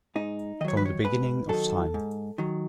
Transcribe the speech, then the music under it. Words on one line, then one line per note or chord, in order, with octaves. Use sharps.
From the beginning of time.
G#2 D#4
D#3 F#3 C#5 D#5
B4
C#5
G#2 B4
D#3 F#3 A4
G#2
D#3 F#3